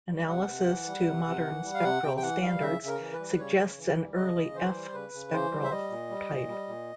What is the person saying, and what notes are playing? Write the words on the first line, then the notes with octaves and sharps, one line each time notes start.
Analysis to modern spectral standards suggests an early F spectral type.
G3
C3 F#5
C3
E3
G3
C3
C3
E3
G3
F5
C3 F#5
C3 G5
G5
E3 F#5
G3 F5
C#3 E5
C#3
A#4
E3
B4
G3
C#3 C#5
C#3
E3
G3
C#3 D#5
C#3
E3 C5
G3
C#3 B4
C#3
E3 C5
G3
E5
G3 D#5
A#2
G3
A#2
G3
A#2